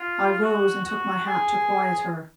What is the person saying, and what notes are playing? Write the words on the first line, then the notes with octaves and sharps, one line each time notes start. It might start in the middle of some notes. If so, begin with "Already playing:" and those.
I rose and took my hat to quiet her.
Already playing: F4
F#4
F#4
G#4